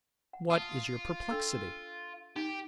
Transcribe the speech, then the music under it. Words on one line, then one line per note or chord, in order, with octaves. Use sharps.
"What is your perplexity?"
F#5
F4 A5 C#6 D#6
D4 A4 E6
D#4 G4